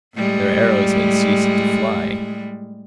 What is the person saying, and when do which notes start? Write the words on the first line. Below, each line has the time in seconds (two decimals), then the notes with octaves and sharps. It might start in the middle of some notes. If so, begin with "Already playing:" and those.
Their arrows had ceased to fly.
0.14 A2 G3 G#3